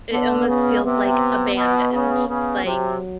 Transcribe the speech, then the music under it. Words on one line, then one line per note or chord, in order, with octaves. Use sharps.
It almost feels, like, abandoned, like
D3 B3
C#3
C3 B3
B2
C#3
C#3 B3
C3 F#3